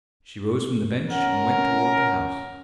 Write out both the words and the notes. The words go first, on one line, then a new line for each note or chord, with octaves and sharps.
She rose from the bench and went toward the house.
C#4 A#4 F#5